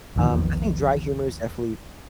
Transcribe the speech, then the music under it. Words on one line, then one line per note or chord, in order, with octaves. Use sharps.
um, I think dry humor is definitely
A#1 E2 D#3